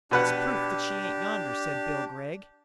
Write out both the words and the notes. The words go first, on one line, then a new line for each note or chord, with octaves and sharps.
"It's proof that she ain't yonder," said Bill Gregg.
B2 D4 G4 B4 F#5